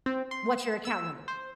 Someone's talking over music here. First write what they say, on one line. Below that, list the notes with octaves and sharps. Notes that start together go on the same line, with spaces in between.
What's your account number?"
C4
C6
E7
E6
C5